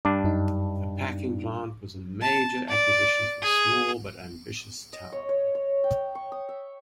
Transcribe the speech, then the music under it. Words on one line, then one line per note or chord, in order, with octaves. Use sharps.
A packing plant was a major acquisition for a small but ambitious town.
G2 D4 D6
F#2 D#4
A5
D5
G#4
D#5
C#5
C#5
C#5
G5
C#6
D#6
E5